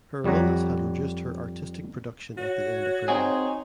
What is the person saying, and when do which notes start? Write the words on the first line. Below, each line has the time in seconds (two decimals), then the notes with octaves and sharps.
Her illness had reduced her artistic production at the end of her life.
0.24 F2 G3 C#5 F#5 A#5
2.37 F#4 C#5
3.08 C4 D#4 F#4 G#4